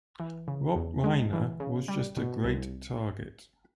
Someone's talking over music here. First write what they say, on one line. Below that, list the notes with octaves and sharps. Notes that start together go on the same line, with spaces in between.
Rob Reiner was just a great target.
E3
C#3
E2
G#3
E3
C#3
G3
B2
C2